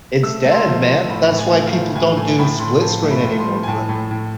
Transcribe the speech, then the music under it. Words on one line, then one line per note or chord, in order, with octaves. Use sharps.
It's dead, man. That's why people don't do split screen anymore, but,
A3 E6
A3
C6
F3
C6
F3
A2 B5
A2
G#5
A3
F5
F3
A2 G#5
A3 G#5
A2 B5
A2 C6
F3 A5
A3
B5
A2
C6
F3
G#5
A2 A5
A2
A2